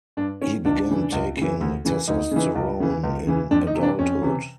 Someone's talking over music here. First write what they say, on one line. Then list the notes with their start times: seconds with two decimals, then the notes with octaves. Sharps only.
He began taking testosterone in adulthood.
0.17 G2 D4
0.42 D#3 C#4
0.65 C#2 D4
0.89 C#3 E3
1.12 C#2
1.37 C#3 E3
1.61 D2
1.85 C#3 E3
2.08 D2 D#4
2.31 C#3 E3
2.55 C#2
2.80 C#3 E3
3.03 C#2
3.27 C#3 E3
3.51 F2 D4
3.67 D#4
3.75 C3 E3
3.83 D4
3.99 F2 C#4
4.22 C3 E3